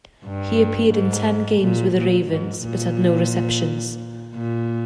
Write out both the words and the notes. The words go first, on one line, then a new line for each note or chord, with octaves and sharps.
He appeared in ten games with the Ravens, but had no receptions.
G2
G#2
A#2
A#2
G#2
A#2
A#2